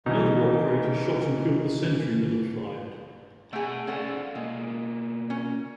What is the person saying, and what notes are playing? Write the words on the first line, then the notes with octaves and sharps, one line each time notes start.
Another operator shot and killed the sentry that had fired.
B2 E3 D#4
B2 A3 G#4 F#5 A5
C#4 G#4 A4 D5 F5 F#5
B2 G#3 A#3
C#4